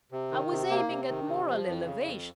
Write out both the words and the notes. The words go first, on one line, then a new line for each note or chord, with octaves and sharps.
I was aiming at moral elevation....
C3
D#3
C3
A#3
C3
D#3
C3
F3
F2
C#3
F2